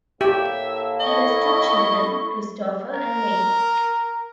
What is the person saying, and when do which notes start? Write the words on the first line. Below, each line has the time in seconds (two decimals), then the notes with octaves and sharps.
He has two children, Christopher and Leigh.
0.21 A2 A#3 G4 E5
1.00 E4 A4 D#5 C#6
2.94 A#4